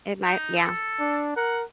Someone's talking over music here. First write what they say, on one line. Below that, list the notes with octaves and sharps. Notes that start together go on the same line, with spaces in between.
It might Yeah.
D#4
A4
D4
A#4 F#5